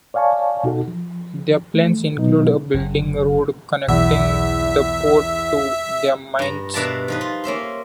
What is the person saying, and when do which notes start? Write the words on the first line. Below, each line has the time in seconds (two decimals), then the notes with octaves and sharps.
Their plans include building a road connecting the port to their mines.
0.14 C#5 D5 F5 G#5 A5 C#6
0.64 B2 D#4 F#4 A4
0.88 F3
1.74 A3
2.17 B2 F#3 B3 D#4
2.74 F#1
3.89 B1 E2 E3 E5
6.39 G2 A#5
6.74 B2 D4 A#4 E5 F5 A5
7.08 F3 D#4 B4
7.21 F4
7.44 A#3 C#4 E5 C6